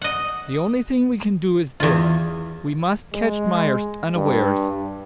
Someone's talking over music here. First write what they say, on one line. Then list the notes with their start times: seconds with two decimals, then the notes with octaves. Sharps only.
The only thing we can do is this--we must catch Myerst unawares.
0.01 D#5 F#5
1.80 E2 F4
3.13 G#3
4.16 G2